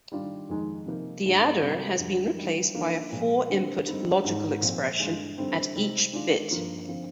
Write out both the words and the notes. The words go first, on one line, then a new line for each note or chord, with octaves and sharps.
The adder has been replaced by a four input logical expression at each bit.
D#3 G3 D4 F4
F2 D#3 G#3 D#4
C3 F3 A#3 D#4
G2 D3 G#3 D#4
C3 D#3 G3
F2 D3 G3
D#3 G3 D4
D3 F3 A#3 D#4
A#2 F3 G#3
D3 G3 C4
D3 G3 C4 D#4
G#2 D#3 G#3
A#2 F3 C4
G2 D3 G#3
D3 G3 C4 D#4
C3 G3 C4 D#4
D#3 G#3 D4 F4
G2 F3 A#3 F4
D3 F3 C4